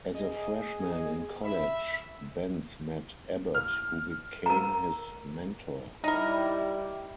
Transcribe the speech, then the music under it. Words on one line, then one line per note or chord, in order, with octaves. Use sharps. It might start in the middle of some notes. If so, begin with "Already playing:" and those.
As a freshman in college, Bentz met Abbott who became his mentor.
G#4 D#5
E5 B5
F6
A#4 A#5
G3 D#4 E4 A#4